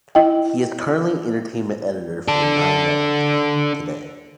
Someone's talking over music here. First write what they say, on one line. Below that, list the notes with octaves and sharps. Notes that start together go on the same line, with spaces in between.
He is currently Entertainment Editor for the Nine Network and "Today".
E4 D#5 G5
D4 A4